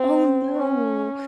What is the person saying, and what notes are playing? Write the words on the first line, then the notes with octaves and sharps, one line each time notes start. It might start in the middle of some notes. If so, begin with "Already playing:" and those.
Oh, no.
Already playing: C4
C#4